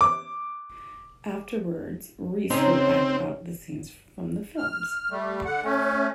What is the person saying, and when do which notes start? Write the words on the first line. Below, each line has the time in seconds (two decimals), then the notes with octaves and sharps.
Afterwards, Reese would act out the scenes from the films.
0.01 D6
2.50 C#3 C4 C#4 D#4
4.58 F6
5.10 G3 A3
5.45 D3 F#5
5.64 A3 C#4